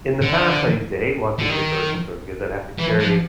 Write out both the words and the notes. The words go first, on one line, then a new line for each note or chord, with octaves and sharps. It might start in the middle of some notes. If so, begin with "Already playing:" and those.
in the past, I used to hate walking to the grocery store because I'd have to carry
D3
D3
D#3
E3
F3